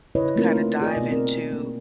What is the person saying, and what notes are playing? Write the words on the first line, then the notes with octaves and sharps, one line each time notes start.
kinda dive into,
C#3 E4 B4 C#5 D#5
A3 A#3 C4 D#4 F4 A#4
F4 G#4 D5 D#5
B2 B3
C4 A#4
A#3